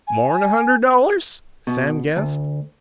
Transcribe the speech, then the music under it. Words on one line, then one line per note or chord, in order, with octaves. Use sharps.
"More'n a hunderd DOLLARS?" Sam gasped.
G#5
B2
D2